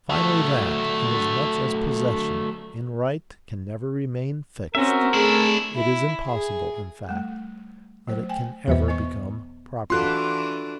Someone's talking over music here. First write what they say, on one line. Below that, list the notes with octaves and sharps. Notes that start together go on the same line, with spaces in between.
Finally, that, inasmuch as possession, in right, can never remain fixed, it is impossible, in fact, that it can ever become property.
F#3 A3
C4 C#4 F#4 A#4 E5
A3 D4 E4 G#4
E4
G#4
G3 A3
F#3 A3 C5
G5 G#5
E2 B2 E3 C5 D#5 E5
B3 D#5 C#6
E3 D4 F4 F#4 A4 C6 F#6